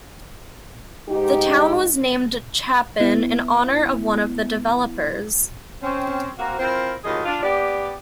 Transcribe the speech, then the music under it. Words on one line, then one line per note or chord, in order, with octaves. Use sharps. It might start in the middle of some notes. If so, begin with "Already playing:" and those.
The town was named Chapin in honor of one of the developers.
G#2 D#4 G4
B3 E4
C4 C#4
A#3 C4 F#4
C4 E4 F4 A#4 C5
D#2 A2 F#3 F4 G#4 D#5
D4 F4
B3 G4 D5